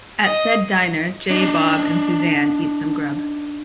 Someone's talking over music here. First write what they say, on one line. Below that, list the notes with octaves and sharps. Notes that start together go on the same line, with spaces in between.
At said diner, Jay, Bob, and Suzanne eat some grub.
D#5
D4 D#4